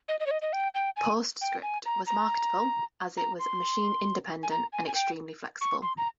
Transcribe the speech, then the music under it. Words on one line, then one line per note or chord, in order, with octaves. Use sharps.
PostScript was marketable as it was machine-independent and extremely flexible.
D#5
D#5
C#5
D#5
D#5
G5
G5
G#5
G5
G#5
A#5
A#5
A#5
C6
G#5
A#5
G#5
G#5
G5
C#6
C6
A#5